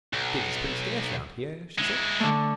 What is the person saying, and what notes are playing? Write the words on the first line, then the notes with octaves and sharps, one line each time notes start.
"Kids is pretty scarce round here," she said.
B1
G#3 E4
D3 A3